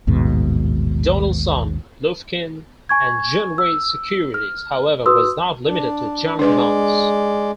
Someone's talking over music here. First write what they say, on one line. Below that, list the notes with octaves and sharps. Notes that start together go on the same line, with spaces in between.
Donaldson, Lufkin and Jenrette Securities, however, was not limited to junk-bonds.
A1 D#2 G#2 B2
G#5 C#6 G#6
E6
F6
F#4 B4 C6 D#6 E6
D4
G#3 D4 B4 D5